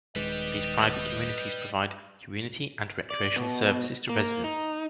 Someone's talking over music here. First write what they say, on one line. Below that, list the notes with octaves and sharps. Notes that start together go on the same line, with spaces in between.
These private communities provide community and recreational services to residents.
D#1 D#3 G3 G#3 G4 B4 D#5
D5
B2
A#3
D#4